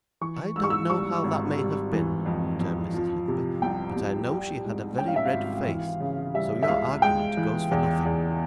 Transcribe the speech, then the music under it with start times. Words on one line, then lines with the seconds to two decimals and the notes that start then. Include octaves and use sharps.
'I don't know how that may have been,' returned Mrs Nickleby: 'but I know she had a very red face, so your argument goes for nothing.'
0.21 E3 C#6
0.56 G#2 E6
0.64 C#6
0.70 E6
0.90 G3 C#6
1.24 G#1
1.58 G3
1.92 E3
2.26 F2
2.60 F2
2.94 F3
3.28 C3
3.62 C2 G5
3.96 C2
4.31 G3
4.65 G#2
4.98 C#4 G5
5.08 F5
5.16 E5
5.26 F5
5.33 G#1
5.67 E3
6.00 C#3
6.34 G3 E5
6.63 E5
6.68 C#2 F5
7.02 G#3 G5
7.37 E3
7.71 E2
8.05 E2